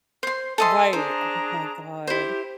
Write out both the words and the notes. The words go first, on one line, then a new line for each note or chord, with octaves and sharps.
Right. Oh my god.
C5 C6
A4 D#5 E5 G#5 C6 E6
D4 G#4 C5 A#5
E4 G4 C5